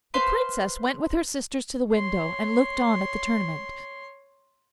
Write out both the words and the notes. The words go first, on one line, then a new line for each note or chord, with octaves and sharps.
The Princess went with her sisters to the window and looked on at the tournament.
B4 C5 F5 C6
C#5 C6